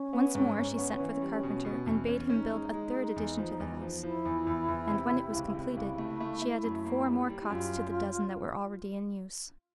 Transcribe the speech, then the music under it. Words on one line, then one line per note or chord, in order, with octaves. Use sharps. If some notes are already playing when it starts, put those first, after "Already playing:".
Once more she sent for the carpenter, and bade him build a third addition to the house; and when it was completed she added four more cots to the dozen that were already in use.
Already playing: C#4
B3
G#2
G#2
B3
E3
G3
B2
B2
E2
C#4
C#4 D#4
G#3
G#3
G#3
E2
F3
E2
F3
F3 E4
E2
E2
E2
C3
C3
C#2
C3
C#2 E4
A3
A3
A3
F#2
A#3
G3
G3
E4
F#2 F4